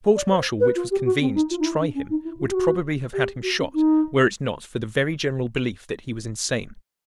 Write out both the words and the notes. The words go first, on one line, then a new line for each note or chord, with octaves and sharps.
The court-martial which was convened to try him would probably have had him shot were it not for the very general belief that he was insane.
D5
C5
B4
F4
G4
F#4
C4
D#4
F4
D#4
E4
D4
C#4
D#4
E4
F4
G4
F#4
G4
F#4
C#4
D#4